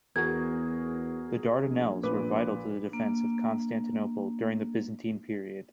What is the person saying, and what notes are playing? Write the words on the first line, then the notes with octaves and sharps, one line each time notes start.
The Dardanelles were vital to the defence of Constantinople during the Byzantine period.
E2 F#4 G#4 A#4 G#6
A#1
A#2 B4 D6
A#3 D4